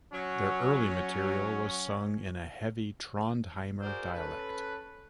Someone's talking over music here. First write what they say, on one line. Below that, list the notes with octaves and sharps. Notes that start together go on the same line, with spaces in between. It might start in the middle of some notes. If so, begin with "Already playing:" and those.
Their early material was sung in a heavy Trondheimer dialect.
F#3 C#4
F#4 G#4 A#4 C5 D5
C#4 A4 B4